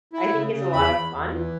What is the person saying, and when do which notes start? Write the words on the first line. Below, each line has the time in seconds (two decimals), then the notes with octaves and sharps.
I think it's a lotta fun
0.13 E4
0.33 C#3
0.52 C#3
0.73 E2 B5
0.93 E2
1.12 E2
1.32 E3